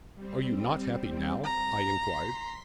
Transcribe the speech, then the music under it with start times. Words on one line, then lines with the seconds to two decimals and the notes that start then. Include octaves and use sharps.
"Are you not happy now?" I inquired.
0.15 G3 C4
1.44 A#5
1.99 C6 B6